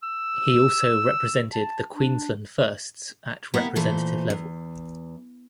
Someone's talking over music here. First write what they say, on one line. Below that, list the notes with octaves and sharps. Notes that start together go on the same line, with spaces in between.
He also represented the Queensland Firsts at representative level.
E6
A5
D4
A#3 B3 E4 G4
A#2 E3 A3 C5
E2